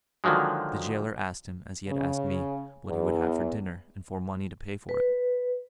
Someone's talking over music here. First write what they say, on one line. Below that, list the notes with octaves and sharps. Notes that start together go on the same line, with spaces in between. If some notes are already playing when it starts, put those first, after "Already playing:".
The gaoler asked him, as he had asked me, what he would have for dinner, and for money to pay for it.
D3 D#3 F3 F#3 G#3
C#3
E2
B4